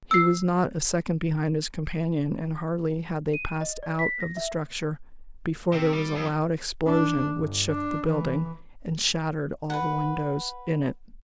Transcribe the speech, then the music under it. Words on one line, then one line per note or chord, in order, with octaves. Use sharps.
He was not a second behind his companion, and hardly had they passed out of the structure before there was a loud explosion which shook the building, and shattered all the windows in it.
E6 C7
D#7
D#5
D5
B6
A#6
E5
C3
G3
F2
D4
G1
D4
E3
B4 F#5